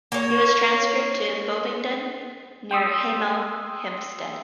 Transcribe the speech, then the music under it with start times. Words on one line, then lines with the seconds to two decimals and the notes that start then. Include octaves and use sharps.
He was transferred to Bovingdon near Hemel Hempstead.
0.12 A#3 C#5
2.71 G5 C6 D#6 E6